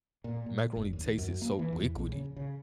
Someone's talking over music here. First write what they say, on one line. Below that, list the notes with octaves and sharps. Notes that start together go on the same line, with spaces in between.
macaroni tasted so liquidy.
A#2
A#2
F#1
D#2
F#2
A#3
E3
E2
A#1
C#3
C#3